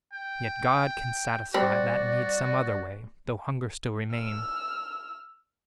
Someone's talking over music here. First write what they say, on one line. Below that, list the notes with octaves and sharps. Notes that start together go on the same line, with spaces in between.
Yet God Can satisfy that need some other way, Though hunger still remain.
G5
G3 C4 F#4 D5
E6 F6